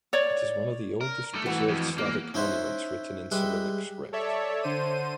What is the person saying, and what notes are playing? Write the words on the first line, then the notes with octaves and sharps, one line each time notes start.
It is one of the oldest preserved Slavic monuments written in Cyrillic script.
C#5 D5
A#4
G2 A3
E3 F#4
F2
E2 E3 A#3
C#4 D#4 E4 C5 E5 F#5
G3 G#3 B4 E5
A4 C#5 D5 E5
D3 C5 D#7